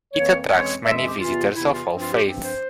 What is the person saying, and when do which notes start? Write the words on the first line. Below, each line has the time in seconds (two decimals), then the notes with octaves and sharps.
It attracts many visitors of all faiths.
0.13 F2 E3 A#3 C#5
0.48 F2 E3 G#3 C#4 C#5
0.84 F2 E3 G#3 C#4 E5
0.96 E5
1.07 G4
1.19 E2 C3 E3 F4
1.54 E2 C3 E3 E4
1.72 F4
1.89 G2 F3 C4
2.01 F4
2.13 G4
2.25 G2 F3 C4
2.43 C5